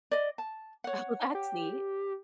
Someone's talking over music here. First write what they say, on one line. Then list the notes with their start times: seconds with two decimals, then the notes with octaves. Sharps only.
Oh, that's neat.
0.11 D5 D#5
0.38 A5
0.84 C#5 F#5
1.35 G4